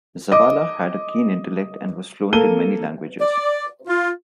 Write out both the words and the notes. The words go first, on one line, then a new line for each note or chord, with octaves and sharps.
Zavala had a keen intellect and was fluent in many languages.
D#5 D6
A#3 A4 D#7 G7
D5
F4